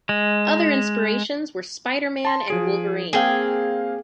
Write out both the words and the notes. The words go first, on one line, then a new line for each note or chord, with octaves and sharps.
Other inspirations were Spider-Man and Wolverine.
G#3
A5 C6
F3 G#4 D7
A#3 C4 G#4 F5 G5